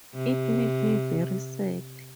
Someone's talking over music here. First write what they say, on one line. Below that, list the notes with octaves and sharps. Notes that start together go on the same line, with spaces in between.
It made me very sad.
C3